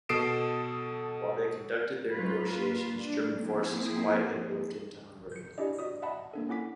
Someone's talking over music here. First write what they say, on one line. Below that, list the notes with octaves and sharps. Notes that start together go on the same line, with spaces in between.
While they conducted their negotiations, German forces quietly moved into Hungary.
B2 A4 D#6 C7 D7 E7
F#3 C#4 F4 B4
A#3 F4 B4
G3 D4
F3 A#3 C4 E4 G#4
G6 C#7
D4 E4 G4 G#4 D5 D#5
F#4 D5 D#5 D#6
D#5 E5 F#5 A5 B5
A#3 D4 A4
C#4 E4 F#5 D6 B6